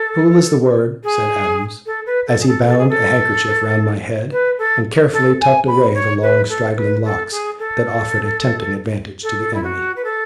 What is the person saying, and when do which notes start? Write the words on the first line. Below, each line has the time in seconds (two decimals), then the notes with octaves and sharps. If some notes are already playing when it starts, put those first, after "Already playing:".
"Cool is the word," said Adams, as he bound a handkerchief round my head, and carefully tucked away the long straggling locks that offered a tempting advantage to the enemy.
Already playing: A4
1.04 G#4
1.86 A4
2.06 B4
2.27 A4
2.40 G#4
2.47 A4
2.67 A4
2.78 G#4
2.89 A4
4.32 B4
4.58 A4
5.13 A4
5.41 G#5
5.67 B5
5.95 C#5
6.22 B4
6.49 A4
6.76 B4
7.04 A4
7.31 G#4
7.59 A4
9.23 A4
9.54 E4
9.63 F#4
9.96 B4
10.04 A4